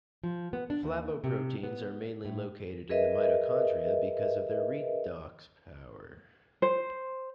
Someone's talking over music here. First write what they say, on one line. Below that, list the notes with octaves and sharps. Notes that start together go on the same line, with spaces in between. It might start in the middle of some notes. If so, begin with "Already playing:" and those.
Flavoproteins are mainly located in the mitochondria because of their redox power.
F3
B3
D4
D#2
C3
B3
A2
G#4 A#4 B4 D#5 E5
C5